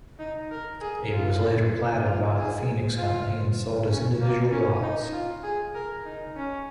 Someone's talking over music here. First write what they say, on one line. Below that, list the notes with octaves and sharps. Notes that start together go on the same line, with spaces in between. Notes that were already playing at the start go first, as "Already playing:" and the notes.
It was later platted by the Phoenix Company and sold as individual lots.
D#4
A#4
G#4
F4
F4
G#4
F4
C#4
A#3
C#4
D#4
F4
G#4
A#4
D#4
C#4